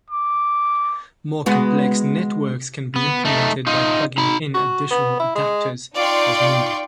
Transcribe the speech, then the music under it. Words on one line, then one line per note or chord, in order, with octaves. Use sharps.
More complex networks can be implemented by plugging in additional adapters as needed.
D6
G#3 B3 F#4
B3
A3 D#4
D#4 F4
D#4 B5
F#4
B3
E4
G#3
D#4 F4 D5 G5 C6 C#6